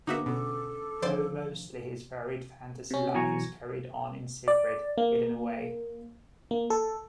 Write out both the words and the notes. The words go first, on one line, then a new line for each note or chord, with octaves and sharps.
Though mostly his varied fantasy life is carried on in secret, hidden away.
D3 A#3 B3 D#4 F#4 G#4 E5 D6
B2 C#4 A4 D6
D3 D#3 F3 C5 D5
C3 C#4
B2 E3 F#3 G#5 A#5 C#6
D5
A#3
A#3
A4